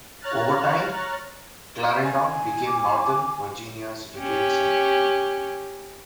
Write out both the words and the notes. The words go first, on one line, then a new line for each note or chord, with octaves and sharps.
Over time, Clarendon became Northern Virginia's retail center.
C#5 A#5 F6 F#6 A6
G#5
D6
C#4 G4